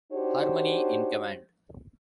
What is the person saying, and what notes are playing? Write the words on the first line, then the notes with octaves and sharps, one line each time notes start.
Harmony in command.
D4 D#4 F#4 G4 C5 C#5